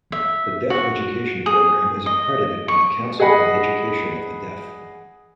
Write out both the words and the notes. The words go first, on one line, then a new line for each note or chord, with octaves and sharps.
The Deaf Education program is accredited by the Council on Education of the Deaf.
E5
F#4
G#4
D#5
C#6
G#4 D#5 F#5 B5